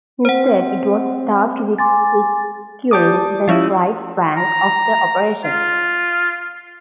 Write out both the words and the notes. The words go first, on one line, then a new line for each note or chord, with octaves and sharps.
Instead, it was tasked with securing the right flank of the operation.
C4 C5 F#5
G#5 C6 D6 A6
G4 D5 A5 D6 D#6
F3 C#4 E4 E6
A#5
F4